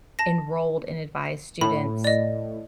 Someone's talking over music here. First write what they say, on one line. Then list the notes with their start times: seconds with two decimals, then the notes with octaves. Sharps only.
enrolled and advised students
0.19 A5 A#6
1.61 A2 B5
2.04 D5 D#5